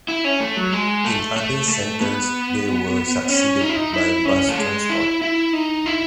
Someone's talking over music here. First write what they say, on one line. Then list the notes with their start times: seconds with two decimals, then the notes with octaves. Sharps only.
In other centres they were succeeded by bus transport.
0.08 E4
0.25 C#4
0.40 A3
0.56 F#3
0.72 G#3
1.04 A3
1.37 A3
1.69 A3
2.01 B3
3.29 C#4
3.61 D#4
3.69 E4
3.76 D#4
3.93 E4
4.25 C#4
4.49 A3
4.57 G#3
4.90 E4
5.22 E4
5.53 D#4
5.86 E4